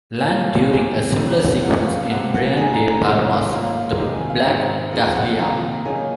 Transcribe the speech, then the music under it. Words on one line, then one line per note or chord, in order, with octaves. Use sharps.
Lang during a similar sequence in Brian De Palma's "The Black Dahlia".
A#2 F3 A#3 C#4 F4 F5
C3 D#3 G#3 G#5
F2 C3 D#3 F#3
F#2 C#3 F3 F#5
F5
C3 F3 A#3 F#5
F#5
A#2 G#3 D#4 G#5
A#5
A#5
C3 D#3 G#3 C#4 C6
G#2 F#3 A#3 F4
C3 D#3 G#3 D#4
G#5
F5
G#2 D#3 G#3 C4 D#4 F#5
C#3 F3 G#3 C4 D#4 F5
F#5
C3 D#3 A#3 F4 A#5
C#3 F#3 A#3 D#4 G#5